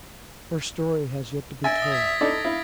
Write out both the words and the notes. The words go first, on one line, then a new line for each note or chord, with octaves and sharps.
Her story has yet to be told.
E5 G#5 A6 A#6 D7
D#6 A#6 G7
G#6 B6
D#4 E4 A4 D5 A6
E4 F5